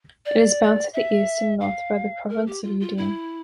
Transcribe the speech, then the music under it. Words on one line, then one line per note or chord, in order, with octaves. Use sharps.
It is bounded to the east and north by the Province of Udine.
D5
E5
F5
A#4
G4
F4
F4
E4